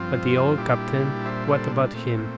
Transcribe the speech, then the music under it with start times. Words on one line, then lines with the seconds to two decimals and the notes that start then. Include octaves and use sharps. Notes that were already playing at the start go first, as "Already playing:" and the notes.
But the old captain, what about him?
Already playing: G2 F3 C4 F4
0.58 A#2 G3 D4 E4 G4
1.25 C5 E5
1.48 A4 C5
1.93 A#2 A3 C4